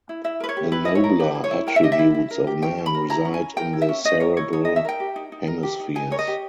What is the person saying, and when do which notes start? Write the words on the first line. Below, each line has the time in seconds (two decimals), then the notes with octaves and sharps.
The nobler attributes of man reside in the cerebral hemispheres.
0.09 E4
0.24 E4 E5
0.40 A#4 B4
0.49 C#5
0.57 G4
0.71 E4 B4
0.85 E4 D#5
0.95 C#5
1.04 A#4
1.19 G4 B4
1.35 E4
1.44 C#5
1.51 E4
1.67 A#4 G5
1.76 E5
1.83 G4 D#5
1.92 E5
1.99 E4
2.14 E4
2.31 A#4
2.47 G4
2.62 C#4 G5
2.78 C#4
2.86 B5
2.94 A#4
3.09 E4 A#5
3.25 C#4
3.34 G#5
3.42 C#4
3.57 A#4 G5
3.73 E4
3.82 E5
3.89 C#4
4.04 C#4 D#5
4.20 A#4 C#5
4.37 E4 C#5
4.53 D#4 C#5
4.65 D#5
4.69 D#4
4.76 E5
4.85 A#4 G5
5.00 G4
5.16 D#4
5.32 D#4
5.47 A#4
5.63 G4
5.80 D#4
5.95 D#4 G#5
6.11 A#4 C#5
6.19 D#5
6.28 G4